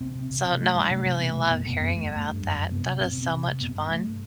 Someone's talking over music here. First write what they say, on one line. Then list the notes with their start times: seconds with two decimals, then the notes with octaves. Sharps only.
So, no, I really love hearing about that. That is so much fun.
0.01 C3 C4
0.15 C3
0.31 C3
0.46 C3
0.61 G2 A3
0.75 G2 G3
0.90 C3 A3
1.06 C3
1.20 B2 B3
1.31 A3
1.35 B2
1.41 A3
1.50 F#2 B3
1.65 F#2 B3
1.80 F#2 B3
1.96 F#2 A3
2.11 G2 A3
2.26 G2
2.41 F#2
2.55 F#2
2.71 C3 B3
2.85 C3
3.01 B2 C4
3.16 B2
3.31 C3
3.46 C3
3.61 G2 B3
3.76 G2
3.90 G2 A3